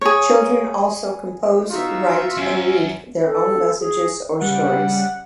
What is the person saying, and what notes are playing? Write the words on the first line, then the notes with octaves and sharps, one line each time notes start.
Children also compose, write and read their own messages or stories.
G#4 C#5
D#4 F4 F#4 E5
F#2 C#4
A4
G#4
C#3 G3 F#5